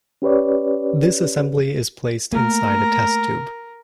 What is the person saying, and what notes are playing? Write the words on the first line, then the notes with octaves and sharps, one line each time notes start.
This assembly is placed inside a test tube.
C#4 G4 B4 C#5 D5
A3 A#3 A#4